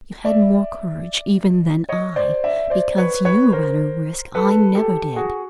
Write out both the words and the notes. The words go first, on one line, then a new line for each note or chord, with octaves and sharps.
You had more courage, even, than I, because you ran a risk I never did.
D5 E5
C#5 D#5
C5 D5
D5 E5
C5 D5
B4 C#5
B4 C#5
A#4 C5
A4 B4
G4 A4
F#4 G#4